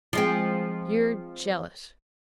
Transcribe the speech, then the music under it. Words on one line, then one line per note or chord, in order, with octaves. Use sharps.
"You're jealous!"
F3 G#3 C4